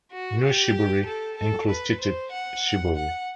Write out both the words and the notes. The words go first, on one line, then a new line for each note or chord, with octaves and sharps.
Nui shibori includes stitched shibori.
F#4
G4
A4
A4
B4
C5
F#5
F#5